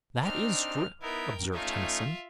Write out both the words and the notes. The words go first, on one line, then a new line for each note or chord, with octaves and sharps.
"That is true," observed Tennyson.
C4 D4 D#4 F6
B3 D#4 E4 A#4 G5
A3 C#4 D#4 F4 E5